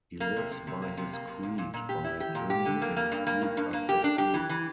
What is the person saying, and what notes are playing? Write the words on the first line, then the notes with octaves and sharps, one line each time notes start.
He lives by his creed by bringing in scoop after scoop.
A#3
C3
C3
C3
A#3
C3
A#3
C3
A#2
A#2
A#2
G4
E4
G4
A#2
G4
D3
A#3
A#3
G2
A#3
G2
G2
A#3
G4
D4
G4
E3
E3